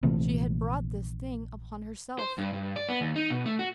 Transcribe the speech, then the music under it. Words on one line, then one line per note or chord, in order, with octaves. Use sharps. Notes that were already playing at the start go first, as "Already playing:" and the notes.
She had brought this thing upon herself.
A#1 C3 E3 A3
C5
G2
G2
D5
B3
D#2
D#4
B2
A3
F#4